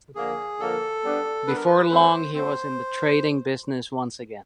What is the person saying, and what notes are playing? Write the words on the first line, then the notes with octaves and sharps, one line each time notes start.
Before long he was in the trading business once again.
D3 F3 A#3 G#4
D3 F3 A#3 A4
G3 B3 D4
G3 B3 D4 B4
A#4
B4
F#3 A3 C4 C5
F#3 A3 C4 C5